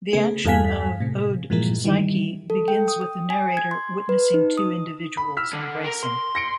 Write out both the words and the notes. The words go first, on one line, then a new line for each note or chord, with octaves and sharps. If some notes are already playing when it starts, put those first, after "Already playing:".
The action of "Ode to Psyche" begins with a narrator witnessing two individuals embracing.
C#3 A3 B3 G#4
E2 G2 A4 F5 G#5 B6
A2 C3
G2 A#2 E3 F3 G#3 A#3
D#3 E3 G3
A4
G5
D#6
D#6
G#5
G#6
C6
B4
D#4
D#6
B5
E6 F6 B6
D3
A#4
C6
A#6 C#7 D7